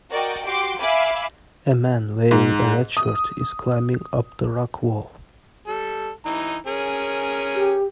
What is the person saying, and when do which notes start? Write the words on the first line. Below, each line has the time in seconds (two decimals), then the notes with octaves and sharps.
A man wearing a red shirt is climbing up the rock wall.
0.11 F#4 A#4 D5 D#5 G5
0.45 F#4 G4 C6 D6 D7
0.81 E5 F5 G#5 B5 D6
2.31 G#2
2.97 D#6
5.67 G3 A4
6.26 E3 D#4 A#5
6.66 C#4 G#4 A#4
7.55 G4